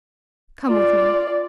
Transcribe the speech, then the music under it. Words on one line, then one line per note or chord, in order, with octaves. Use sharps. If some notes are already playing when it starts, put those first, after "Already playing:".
Come with me.
F4 D5